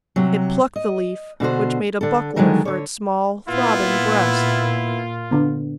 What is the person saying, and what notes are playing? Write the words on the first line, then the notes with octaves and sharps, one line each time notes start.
It plucked the leaf, which made a buckler for its small throbbing breast.
C3 F#3
D#5
B2 D3 F#4 C5
D3 A4
D3 D#3 F#3 G#3 A3 A#4
D3 C#5
A#2 B3 E4 F4
D3 B3